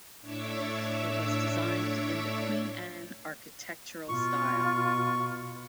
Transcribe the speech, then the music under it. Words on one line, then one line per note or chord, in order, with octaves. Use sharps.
It was designed in the Queen Anne architectural style.
A2 D4 C#5 E5 D6 E6
B2 F4 C#6